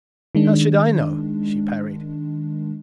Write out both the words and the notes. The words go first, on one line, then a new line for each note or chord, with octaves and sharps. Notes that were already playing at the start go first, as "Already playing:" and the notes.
"How should I know?" she parried.
D#3 G#3 D4